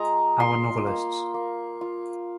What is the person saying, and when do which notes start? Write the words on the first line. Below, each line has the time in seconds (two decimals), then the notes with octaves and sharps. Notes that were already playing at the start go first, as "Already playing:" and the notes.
Our novelists.
Already playing: G#3 F4 A#5
0.40 F4 C6
0.87 A#3
1.34 A#3
1.81 F4